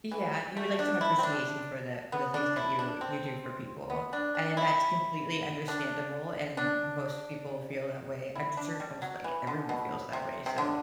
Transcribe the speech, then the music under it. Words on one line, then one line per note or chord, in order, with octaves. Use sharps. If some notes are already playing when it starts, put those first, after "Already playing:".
Yeah, you would like some appreciation for the for the things that you you do for people, and that's completely understandable, and most people feel that way I'm sure almost, like, everyone feels that way, so,
E3
A3
D4
E4
C4
D4
B3
D4
E4
D4
C4
B3
D4
D4
E4
D4
D4
E4
D4
G3
F#3
E3
D3
B2
C3
C3
D3